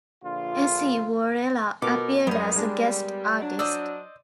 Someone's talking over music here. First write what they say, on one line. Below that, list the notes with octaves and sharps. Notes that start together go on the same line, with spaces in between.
Essi Wuorela appeared as a guest artist.
A#1 D3 F4
B2 F3 A4 A#4 D6
F#2 G3 B3 A#4
G#3 D4
F#3 D4
C5 D5 D#5 E6